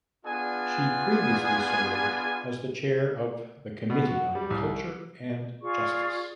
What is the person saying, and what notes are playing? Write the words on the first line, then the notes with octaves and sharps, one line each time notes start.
She previously served as the chair of the Committee on Culture and Justice.
B3 D4 F4 G#4 D5 G#5
B2
F#4
G3
C2
F4 G#4 D5 C#6